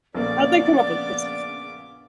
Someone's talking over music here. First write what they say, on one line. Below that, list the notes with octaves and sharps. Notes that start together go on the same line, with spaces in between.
How did they come up with this?"
A#1 C#3 A#3 B3 D5 D6